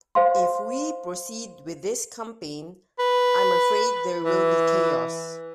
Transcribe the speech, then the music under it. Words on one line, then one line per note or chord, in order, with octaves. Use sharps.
If we proceed with this campaign, I'm afraid there will be chaos.
C5 F5 C6
B4
E3